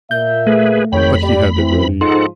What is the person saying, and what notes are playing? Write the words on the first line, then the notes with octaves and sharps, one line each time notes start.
But he had it ready.
A#2 A#3 E5 G6
A3 G#4 B4
G#1 F2 C#5 G5 B5
G4 D5
E3 C4
G#2 F3 D#4 A4 F#5 C6